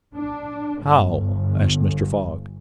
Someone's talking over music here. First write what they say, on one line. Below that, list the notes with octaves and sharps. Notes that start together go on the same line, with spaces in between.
"How?" asked Mr. Fogg.
D4
G1